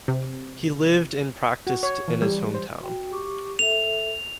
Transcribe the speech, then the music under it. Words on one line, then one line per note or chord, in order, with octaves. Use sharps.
He lived and practised in his hometown.
C3
F#4
C#5
E3
G3
C5
F#4 G5
G4 C#6 D6
A4 E5 F7